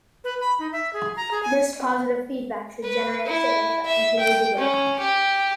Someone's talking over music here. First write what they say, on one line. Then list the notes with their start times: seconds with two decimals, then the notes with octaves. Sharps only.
This positive feedback should generate sales that continue to grow.
0.24 B4
0.41 B5
0.59 D#4
0.72 E5
0.93 G#4
1.17 A#5
1.31 G#4
1.43 G#5
2.84 B4
3.26 E4
3.86 E5
4.20 G5
4.57 C#4
4.99 G4